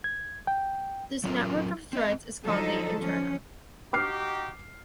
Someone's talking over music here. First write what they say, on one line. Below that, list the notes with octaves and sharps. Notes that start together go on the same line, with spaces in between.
This network of threads is called the interna.
G#6
G5
F#3 C#4 F4 A#4
C4 D#5
D3 F3 F#3 D#4 A4
F3 C#4
D#4 F#4 G4 D6 F6 C7